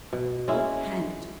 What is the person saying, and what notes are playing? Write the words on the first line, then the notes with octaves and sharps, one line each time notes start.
Oh, hang it!
B2
G#3 C#4 E4